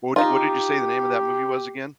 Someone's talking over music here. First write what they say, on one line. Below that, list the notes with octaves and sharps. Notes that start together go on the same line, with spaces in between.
What d what did you say the name of that movie was, again?
D#4 F4 G4